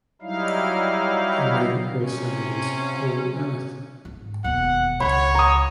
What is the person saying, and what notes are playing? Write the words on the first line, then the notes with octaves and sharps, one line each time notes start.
Her name also means "Whole Earth".
F#3 G3 D#4 E4 F5
C3 C#4
G#2
E1 D#2 F#5
C#2 C#5 F#5 B5
A#5 D#6